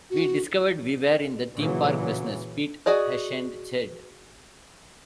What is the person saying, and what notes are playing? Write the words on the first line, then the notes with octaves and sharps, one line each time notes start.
"We discovered we were in the theme park business," Pete Herschend said.
F#4
A#2 C#3 E3 F#3
F#4 G#4 D5 D#5